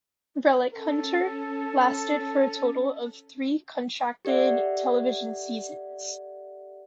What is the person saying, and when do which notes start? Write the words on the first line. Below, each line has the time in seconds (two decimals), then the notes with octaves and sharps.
"Relic Hunter" lasted for a total of three contracted television seasons.
0.74 C#4 A4
4.25 G4 A4 D5 E5 F#5